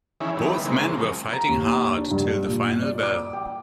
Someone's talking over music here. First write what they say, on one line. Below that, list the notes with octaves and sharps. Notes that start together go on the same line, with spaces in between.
Both men were fighting hard til the final bell.
D#3 E3 C#4 E4 G#4
D#3 E3 G3 B3
C#3 G#3 A#3 C4
C3 F3
A#5
D#2
D4
G2
A#2
D5
D6
G5